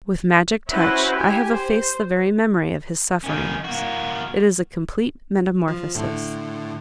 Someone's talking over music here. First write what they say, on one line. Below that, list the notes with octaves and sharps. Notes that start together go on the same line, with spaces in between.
With magic touch I have effaced the very memory of his sufferings. It is a complete metamorphosis.
C#4 E4 F#4 B4 C5
G4 G#5
C5
D#3 C#4
A#3 F#4
F3
A2 D3